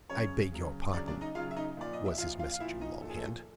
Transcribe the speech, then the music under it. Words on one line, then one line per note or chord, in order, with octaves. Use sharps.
"I beg your pardon," was his message in long-hand.
C#3 F#3 C#4 C#5
C#3 F#3
C#3 F#3 D4 D5
D4 D5
D#4 D#5
C#3 F#3 F4 F5
E5
D#4 D#5
A#2 F3 D5
D#5
E5
A#2 F3 F4 F5
F4 F5
F5
A#2 F3 E4 E5
D#4 D#5
A#2 F3 G#4 A4
A3 A4